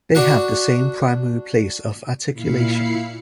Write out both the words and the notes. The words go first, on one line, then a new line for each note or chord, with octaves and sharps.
They have the same primary place of articulation.
D4 F#4 F#5
A#2 E4 F5 B5 C7 C#7